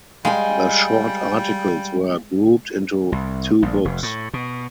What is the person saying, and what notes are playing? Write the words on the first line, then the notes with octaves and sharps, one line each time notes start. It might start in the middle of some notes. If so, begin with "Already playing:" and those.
The "Short" articles were grouped into two books.
G3 G#3 F5 G5 G#5
C2
A#1
F1
A2
B2